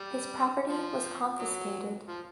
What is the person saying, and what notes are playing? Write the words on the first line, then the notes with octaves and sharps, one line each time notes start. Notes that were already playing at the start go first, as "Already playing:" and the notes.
His property was confiscated.
Already playing: G3
F3
F#3
F3